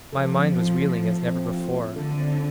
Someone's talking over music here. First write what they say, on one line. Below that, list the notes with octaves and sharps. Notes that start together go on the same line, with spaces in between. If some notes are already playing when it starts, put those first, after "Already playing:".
My mind was reeling as never before!
F3 A4
C4
F4
A3
A4
C4
F4
A3
D3 A4
C4